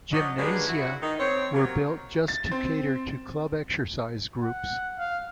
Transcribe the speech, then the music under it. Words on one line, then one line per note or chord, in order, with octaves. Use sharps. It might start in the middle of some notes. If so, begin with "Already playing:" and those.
Gymnasia were built just to cater to club exercise groups.
F3 F#3 D4 F#4 D#5
F#3 G#3 A#3 D4 G4 B4
E4 F#4
D#3 D#4
C4 C#5
C3 F#3 A#3 A#4
A6
C4
F#5
F5